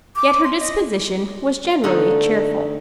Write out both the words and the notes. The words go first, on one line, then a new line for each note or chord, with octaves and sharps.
Yet her disposition was generally cheerful.
D6
C6
D#5
D3 A3 D#4